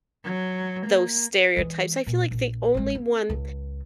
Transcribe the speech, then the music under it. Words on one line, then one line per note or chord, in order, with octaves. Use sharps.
those stereotypes. I feel like the only one
F#3
A#3
E3 G#3
A#2
A#1
A1 G#3
C4
C#2